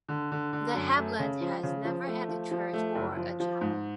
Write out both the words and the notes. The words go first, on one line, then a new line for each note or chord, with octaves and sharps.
The hamlet has never had a church or a chapel.
D3
D3
D3
F#2
A3
C#3
F3
C#3
F3
A3
F3
F3
A3
F#1
F3
F3
G#2